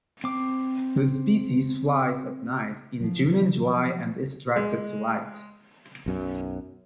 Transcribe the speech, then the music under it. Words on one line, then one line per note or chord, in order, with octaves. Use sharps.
The species flies at night in June and July and is attracted to light.
C4 D6
F3 F#3
G#3
B1 F#2